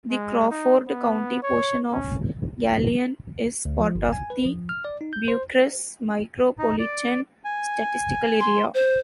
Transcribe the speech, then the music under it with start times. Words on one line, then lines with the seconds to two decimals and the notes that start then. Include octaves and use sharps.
The Crawford County portion of Galion is part of the Bucyrus Micropolitan Statistical Area.
0.11 G#3
0.50 D#4
0.88 B3
1.43 C#5
1.92 C#4
3.65 D2
3.80 F3
3.95 G1
4.13 G#5
4.30 B4
4.45 F3
4.69 F6
4.85 D5
5.01 D#4
5.13 G6
5.28 C5
6.59 D#4
6.79 D5
7.45 G#5
8.40 C6
8.74 C5